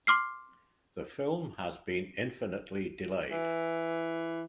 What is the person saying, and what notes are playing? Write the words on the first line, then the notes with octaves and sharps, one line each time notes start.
The film has been infinitely delayed.
C6 D6 F6 C7
E3